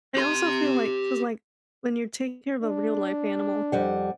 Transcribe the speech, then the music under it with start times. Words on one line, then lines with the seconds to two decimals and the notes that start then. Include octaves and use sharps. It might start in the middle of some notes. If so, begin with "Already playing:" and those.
I also feel like 'cause, like, when you're taking care of a real life animal,
0.17 G4 C6
2.64 D4
3.72 F2 G3 F#5